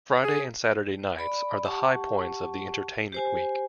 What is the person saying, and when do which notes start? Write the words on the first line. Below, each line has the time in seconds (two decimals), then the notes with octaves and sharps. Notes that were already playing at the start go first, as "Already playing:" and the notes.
Friday and Saturday nights are the high points of the entertainment week.
0.23 G#4
1.19 D5 B5
1.65 G4 F#5 A5 C#6
3.12 G4 C5 G#5